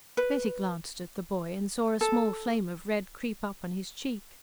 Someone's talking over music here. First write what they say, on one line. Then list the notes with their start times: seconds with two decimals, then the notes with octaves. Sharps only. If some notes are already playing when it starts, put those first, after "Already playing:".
Betty glanced at the boy and saw a small flame of red creep up on his cheek.
0.17 B4
2.01 A4